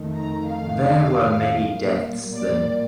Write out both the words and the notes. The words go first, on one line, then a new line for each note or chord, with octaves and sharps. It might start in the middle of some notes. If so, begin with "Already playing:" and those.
There were many deaths then.
Already playing: F2 D#3 A3
A#5
F5
A#2 G3 A#3
D5